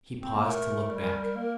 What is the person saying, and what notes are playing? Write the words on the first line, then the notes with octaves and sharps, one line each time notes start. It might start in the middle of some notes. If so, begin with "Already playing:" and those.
He paused to look back.
C4
A#3
A3 A#4
G3
A#3